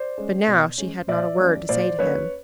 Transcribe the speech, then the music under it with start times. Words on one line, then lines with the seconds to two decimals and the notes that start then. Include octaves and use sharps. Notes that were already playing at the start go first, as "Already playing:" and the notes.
But now she had not a word to say to him.
Already playing: C5 D5
0.18 G#3 C#4
0.47 B2
0.78 G#3 C#4
1.08 A#2 D5 E5
1.39 F#3 A#3 C#4
1.69 A#2 C5 D5
1.99 F#3 A#3 C#4 B4 C#5